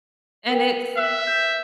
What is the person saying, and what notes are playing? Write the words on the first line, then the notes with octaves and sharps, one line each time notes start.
And it's
A#4 B4 G5
E5 E6 F#6
G6